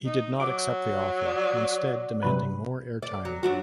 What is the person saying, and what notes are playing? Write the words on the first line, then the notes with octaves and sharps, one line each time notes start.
He did not accept the offer, instead demanding more airtime.
D#4
F#3 D6
D5
C3 F#3 B4
D5
F#3
F#2 D4 F#4